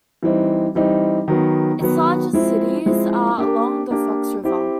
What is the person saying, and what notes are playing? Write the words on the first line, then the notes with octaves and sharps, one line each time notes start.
Its largest cities are along the Fox River.
E3 G3 C4 D#4
E3 G3 C4 D#4
D#3 F#3 B3
D#3 F#3 B3
F3 G#3 C4 E4
F3 G#3 C4 E4
A#3 D4 G4
A#3 D4 G4
C4 E4 G4